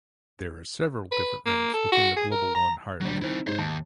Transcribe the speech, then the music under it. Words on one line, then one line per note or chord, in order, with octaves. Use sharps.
There are several different ranks within the Global One hierarchy.
B4
A#3
A4
F#4
G#4
A#4
A#5
D#1 D2 F#3 G3
D#3 C4 E4 A#4
G#2 C5 C#5
D#2 A5